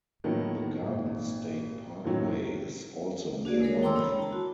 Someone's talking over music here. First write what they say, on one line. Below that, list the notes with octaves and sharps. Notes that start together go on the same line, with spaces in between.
The Garden State Parkway is also nearby.
A2 D#3 F3 F#3 A#3 B3
G#1 A#2
F#2 A2 D#3 E3 F#3
D4 F#4 G#4 D5
G#3 A4 A#4 C#5
G5 A#5 C6 D6 E6
D4 C#5 A#5 B5
E4 A5
F#4